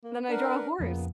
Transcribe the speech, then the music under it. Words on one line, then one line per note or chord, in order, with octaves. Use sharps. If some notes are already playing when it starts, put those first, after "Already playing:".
Then I draw a horse.
A#3
D4 A#4 B4 F#5
F2 A#2 C#3 F3 B3